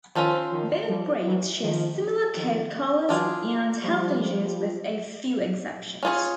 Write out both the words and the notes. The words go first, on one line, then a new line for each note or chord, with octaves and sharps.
Both breeds share similar coat colors and health issues with a few exceptions.
D#3 F3 C#4 F4 A4 C5
D#3 F3
F3 G3
E3 F#3
D#3 F3
D#3 F3
E3 F#3 D4 F4 G#4
F3 G3
C#4 F4 G#4 C#5